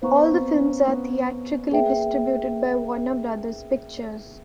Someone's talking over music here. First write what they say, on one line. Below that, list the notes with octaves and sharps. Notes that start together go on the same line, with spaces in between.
All the films are theatrically distributed by Warner Brothers Pictures.
B3 C5 F5 A#5 C#6
C4
C#4
B3
A#3 G#4 B4 E5 G5